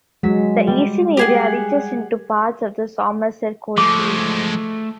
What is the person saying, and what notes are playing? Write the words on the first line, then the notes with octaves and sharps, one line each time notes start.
The eastern area reaches into parts of the Somerset Coalfield.
F#3 G#3 B6 E7
G3
G4 G#4 F#5
F3 G#3 A3 D6